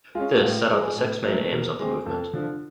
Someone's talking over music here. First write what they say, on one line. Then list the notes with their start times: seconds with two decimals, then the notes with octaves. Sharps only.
This set out the six main aims of the movement.
0.15 G#3 F4
0.20 C#4
0.35 F#4
0.42 A2 F4
0.56 F4
0.70 F3 G#3
0.83 G#4
0.97 A2 A4
1.24 F#3 A3 A#4
1.51 B2 A#4
1.79 G#3 C4
2.06 F2 A4
2.33 D3 F3